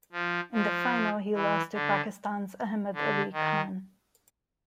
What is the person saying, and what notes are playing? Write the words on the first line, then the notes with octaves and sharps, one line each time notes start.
In the final he lost to Pakistan's Ahmed Ali Khan.
F3
F3
E3
D3
D3
D#3